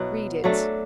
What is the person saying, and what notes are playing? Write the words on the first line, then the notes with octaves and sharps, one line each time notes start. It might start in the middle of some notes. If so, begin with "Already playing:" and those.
"Read it."
Already playing: B2 F#3 B3 E4
F#3 A3 D4